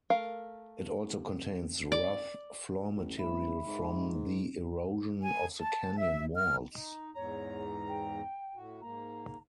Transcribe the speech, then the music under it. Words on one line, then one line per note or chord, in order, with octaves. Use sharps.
It also contains rough floor material from the erosion of the canyon walls.
A3 A#4 F5
D5
A1
D#1 E5 B5
G#2
G#5
A5
E5
F6
D#4
E2 G#2 C#5 A#5
G5
A2 F#4
G#2 A#3 A#5